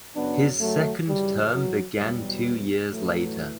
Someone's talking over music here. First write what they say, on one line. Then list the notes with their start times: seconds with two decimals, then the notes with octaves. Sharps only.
His second term began two years later.
0.14 F#2 C#3 F#3 B3 D4
0.60 F#3 A3
1.07 F#2 C#3 E3 G3
1.53 F#3
1.98 E2 B2 F#3 G3
2.91 A2 E3 F#3 A3